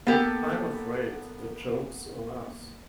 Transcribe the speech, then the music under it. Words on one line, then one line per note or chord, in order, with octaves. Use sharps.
I'm afraid the joke's on us.
A#3 B3 G4 A4